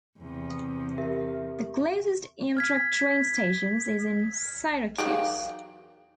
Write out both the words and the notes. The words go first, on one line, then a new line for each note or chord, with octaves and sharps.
The closest Amtrak train station is in Syracuse.
E2 C3
G4 A#4 E5
F6 G#6 B6
E2 F#3 D#4 G4 G#4 A#4 F5